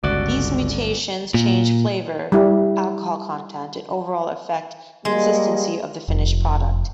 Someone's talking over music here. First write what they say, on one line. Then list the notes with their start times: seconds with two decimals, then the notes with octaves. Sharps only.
These mutations change flavor, alcohol content, and overall effect consistency of the finished product.
0.04 G1 C#2 F#4 D5
1.34 A#2
2.32 G3 E4
5.05 G3 G#3 A#3
6.08 F1